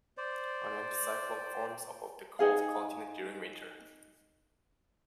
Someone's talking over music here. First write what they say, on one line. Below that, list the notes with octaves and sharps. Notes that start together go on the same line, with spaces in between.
An anticyclone forms above the cold continent during winter.
C5 D5
D#4 G#4 F5